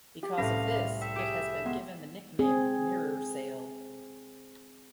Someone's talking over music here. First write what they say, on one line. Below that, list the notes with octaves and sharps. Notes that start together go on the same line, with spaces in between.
Because of this, it has been given the nickname "Mirror Sail".
G4
C2 A2 A3 C#4 B4 F5 A#6
E5 G5
G4 G#4
G#3 B3 F#5 C6
C4 G#4